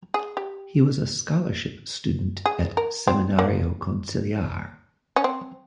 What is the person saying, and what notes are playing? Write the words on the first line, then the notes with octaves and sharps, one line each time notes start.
He was a scholarship student at Seminario Conciliar.
G#4
G4
G#4
A#4
C4
A#3
C#4
C4